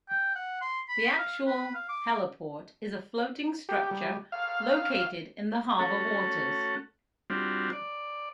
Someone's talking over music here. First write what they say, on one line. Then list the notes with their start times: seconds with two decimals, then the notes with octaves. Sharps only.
The actual heliport is a floating structure located in the harbour waters.
0.09 G5
0.35 F#5
0.61 C6
0.89 B5
1.18 F5
1.47 B4
1.75 F5
1.89 D6
3.69 G4
3.91 G3
4.32 F5
5.79 A3 C#4 F#4 A4
7.30 G3 C4 D4 F4 F#4
7.73 D5